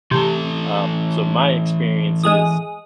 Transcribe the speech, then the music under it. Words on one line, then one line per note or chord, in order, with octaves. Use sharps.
Um, so my experience is,
C3 E3 A3 A4
G#3 G#4 D#6